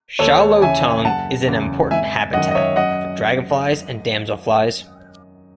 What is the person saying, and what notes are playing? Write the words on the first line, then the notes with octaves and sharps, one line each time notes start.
Sha Lo Tung is an important habitat for dragonflies and damselflies.
D#2 A4 C#5
C#3 E3 E5 G#5
F#1 F#5 A5
E2 C#3
G#1 E5 G#5
F#2 D#3 D#5 F#5
D#5
C#5 E5
F#2 D#5 F#5